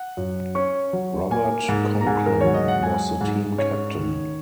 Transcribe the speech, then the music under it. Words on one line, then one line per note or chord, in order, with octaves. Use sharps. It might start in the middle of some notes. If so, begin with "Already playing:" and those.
Robert Conklin was the team captain.
Already playing: F#5
F#2
C#4 C#6
F#3
A#3 G#5
G#2
A#5
G#2 G#5
A#4
F#3 C#5
D#5
F#5
G#3 G#5
G#2
C#4 C#5
D#3